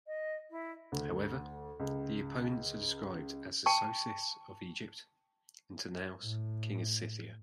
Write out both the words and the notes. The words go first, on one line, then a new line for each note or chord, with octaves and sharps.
However, the opponents are described as Sesosis of Egypt and Tanaus, king of Scythia.
D#5
E4
D2
C#2
G5 A5 C#6
A2